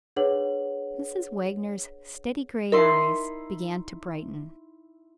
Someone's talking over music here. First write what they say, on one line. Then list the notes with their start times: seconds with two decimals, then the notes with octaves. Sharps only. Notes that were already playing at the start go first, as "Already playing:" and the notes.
Mrs. Wagner's steady gray eyes began to brighten.
0.16 D4 G#4 B4 C#5 F#5 F#7
2.72 D#4 E4 A#4 C6